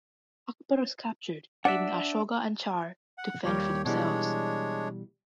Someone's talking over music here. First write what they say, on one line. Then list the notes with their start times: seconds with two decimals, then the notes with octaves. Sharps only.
Ackbar is captured, leaving Ahsoka and Char to fend for themselves.
1.65 D4 D5 E5 F#5
3.18 F#5
3.45 D#2 G3 A#3 G4 C#5
3.85 B2 E3 G3 G#3 D4 C#5